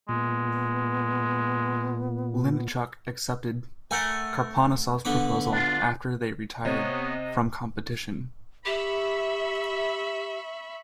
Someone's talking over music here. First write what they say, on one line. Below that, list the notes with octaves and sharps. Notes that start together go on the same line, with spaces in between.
Linichuk accepted Karponosov's proposal after they retired from competition.
A#2 G#3 B3
A3 A#4 F#5 G#5
D3 B3 D6
D4 F4
C3 B3 C#5 D#5
G4 E5 B5 C#6